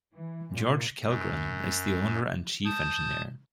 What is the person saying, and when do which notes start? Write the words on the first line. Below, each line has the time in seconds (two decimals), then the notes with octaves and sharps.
George Kellgren is the owner and Chief Engineer.
0.15 E3
0.55 A#2
1.05 F#2
2.65 A5 D#6 G6 G#6